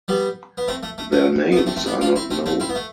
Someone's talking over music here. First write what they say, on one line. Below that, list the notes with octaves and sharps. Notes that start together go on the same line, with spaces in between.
Their names are not known.
G3 B3
B3
A3 C4
A3
A3
A3
B3
A3
A3 C4
A3 C4
B3 D4
D4 F4
C4 E4
A3 C4
A3 C4
C4 E4
B3
A3